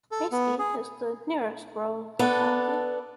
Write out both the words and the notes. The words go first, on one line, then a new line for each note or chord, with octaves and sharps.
Maysky is the nearest rural locality.
A4
B3
G#4
B3 D4 A4